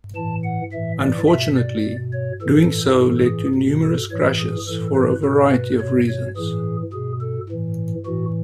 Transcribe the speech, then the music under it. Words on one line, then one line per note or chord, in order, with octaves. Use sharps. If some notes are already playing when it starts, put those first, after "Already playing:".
Unfortunately, doing so led to numerous crashes for a variety of reasons.
A2 E3 A5
F#5
A2 E3 E5
D5
B2 E5
D5
B2
C#5
A2 E3 A4
A2 E3 A4
G#4
B2
A4
A2 E3 C#5
G#4
A2 E3 A4
B4
B2 A4
B4
B2 C#5
C#5
A2 E3 G#4
B2 G#4
A4
A2 E3
A2 E3 F#4